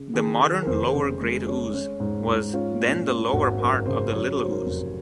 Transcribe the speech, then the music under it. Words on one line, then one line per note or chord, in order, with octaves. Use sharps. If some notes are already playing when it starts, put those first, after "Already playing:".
The modern lower Great Ouse was then the lower part of the Little Ouse.
Already playing: C#3
D#3 G#4
D#3
A#4
F1 C5
C#3
G#3
C#4
C#4
G#2
G#2
C#4 F4
A#2
C#4
G#1 F#4
F#2 A#4
C#3 C5
F#3 C#5
F#3 C5
A#4
F1